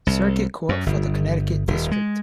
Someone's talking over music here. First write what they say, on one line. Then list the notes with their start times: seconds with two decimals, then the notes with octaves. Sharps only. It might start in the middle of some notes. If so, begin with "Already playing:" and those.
Circuit Court for the Connecticut District.
0.07 C2
0.69 F#2
0.86 G1
1.68 D#1
1.91 G#3